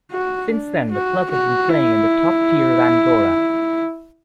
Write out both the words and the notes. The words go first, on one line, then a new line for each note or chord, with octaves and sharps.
Since then the club have been playing in the top tier of Andorra.
F#4
D4
F#4
F#4
E4